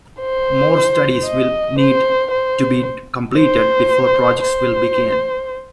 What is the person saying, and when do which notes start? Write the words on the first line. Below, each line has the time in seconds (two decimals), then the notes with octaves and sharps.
More studies will need to be completed before projects will begin.
0.20 C5
1.26 D#5
1.79 C5
2.31 C5
3.36 C5
4.42 C5